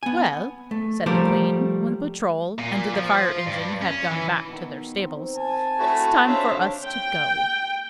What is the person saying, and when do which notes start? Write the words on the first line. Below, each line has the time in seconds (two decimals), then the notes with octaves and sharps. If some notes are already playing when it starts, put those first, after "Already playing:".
"Well," said the Queen, when the Patrol and the Fire Engine had gone back to their stables, "it is time for us to go."
0.03 B3 G#5
0.71 A3
1.06 F3 G3 A3 A#4 C5 D5
2.59 A#2
2.95 F3
3.32 F4
3.46 G2
3.82 C#4
4.11 E3
4.48 B2 D#3
4.97 C4 D#4
5.36 D#3 G#5 A5
5.80 A3 E4 F#4
6.27 D4 C5 C#5 E5 F5
6.84 G5